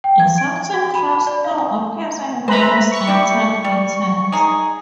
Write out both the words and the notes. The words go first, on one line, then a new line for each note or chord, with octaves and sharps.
The Celtic cross now appears in various retail items.
G5
G#6
D7
G#6
F#4
B5
B5
D5
F5
B4 C5 E5 A#5 B5
C#6
G3 E4 G4
G3
D#4 G#4